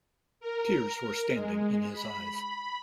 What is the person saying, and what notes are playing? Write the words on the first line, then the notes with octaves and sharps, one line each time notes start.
Tears were standing in his eyes.
A#4
G#3
B5